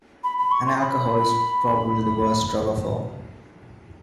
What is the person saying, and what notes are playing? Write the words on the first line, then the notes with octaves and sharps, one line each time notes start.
And alcohol is probably the worst drug of all.
B5
B5
C#6
C6
B5